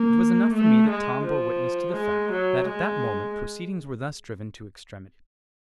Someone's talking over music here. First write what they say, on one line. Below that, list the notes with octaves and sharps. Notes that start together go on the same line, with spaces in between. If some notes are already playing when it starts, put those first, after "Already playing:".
It was enough for me that Tom bore witness to the fact that at that moment proceedings were thus driven to extremity.
Already playing: A#3
A3
G#3
F3
G#3
F#3
G#3